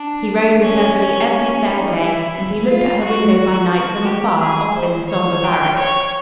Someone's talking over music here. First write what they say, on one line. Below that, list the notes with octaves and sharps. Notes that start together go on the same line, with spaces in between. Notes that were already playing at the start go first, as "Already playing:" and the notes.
He rode with Beverly every fair day and he looked at her window by night from afar off in the sombre barracks.
Already playing: D4
C#4
D#4
E4
F4
F#4
F#4
G4
G#4
C5
C#5
G5
C#5